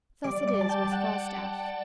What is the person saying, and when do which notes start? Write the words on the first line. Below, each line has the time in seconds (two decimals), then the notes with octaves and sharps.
Thus it is with Falstaff.
0.24 G3 D5
0.48 D5
0.54 G3
0.61 A5
0.69 G5
0.85 G3
0.92 F#5